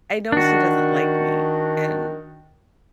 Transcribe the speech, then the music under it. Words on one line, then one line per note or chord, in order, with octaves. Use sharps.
I know she doesn't like me, and
D#3 D4 F#4